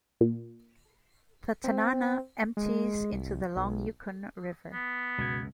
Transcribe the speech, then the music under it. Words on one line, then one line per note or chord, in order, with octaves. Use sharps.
The Tanana empties into the long Yukon River.
A#2
C4
G#3
C2
B1
B3
C#2 F#2 B2 G#6